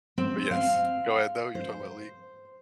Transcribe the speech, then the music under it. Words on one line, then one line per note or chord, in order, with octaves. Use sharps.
but yes, go ahead, though. You're talking about League.
C4
F5
C5